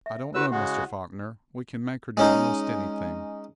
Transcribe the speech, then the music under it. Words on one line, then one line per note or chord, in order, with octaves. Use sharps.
"I don't know, Mr. Faulkner, we can make her do almost anything."
E5
E4 F#4 G4 B4 C#5 E6
C#3 G#3 F#4 F#5
G#3 C#4 D#4